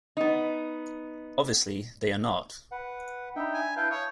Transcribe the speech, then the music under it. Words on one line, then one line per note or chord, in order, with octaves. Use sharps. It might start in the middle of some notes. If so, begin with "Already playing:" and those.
Obviously, they are not.
B3 D#4
B4 F#5
D4 D#4 E5 G5 B5
G#5
E4 B4 F5 G5 A5 G6
C#5 D#6 G#6